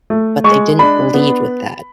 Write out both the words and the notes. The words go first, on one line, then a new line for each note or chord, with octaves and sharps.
but they didn't lead with that.
A3
G#3 C#6
D4 B5
B3